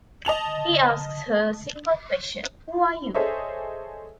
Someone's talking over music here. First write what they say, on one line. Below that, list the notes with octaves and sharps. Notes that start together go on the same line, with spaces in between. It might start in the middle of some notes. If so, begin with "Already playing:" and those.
He asks her a simple question: Who are you?
D#5 A5 F7 F#7
G#4 A4 C5 C#5 D#5 E5